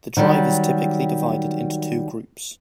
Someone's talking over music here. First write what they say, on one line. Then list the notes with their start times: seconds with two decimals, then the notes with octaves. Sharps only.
The drivers typically divided into two groups.
0.17 D#3 F#3 G3